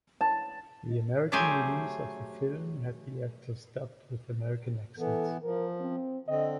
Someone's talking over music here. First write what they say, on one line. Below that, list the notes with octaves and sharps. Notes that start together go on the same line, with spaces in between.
The American release of the film had the actors dubbed with American accents.
A5
F#3 A3 G4 G#4 C5 G#5
E3 B3 A4
F3 A#4
C4
D3 C4 D#5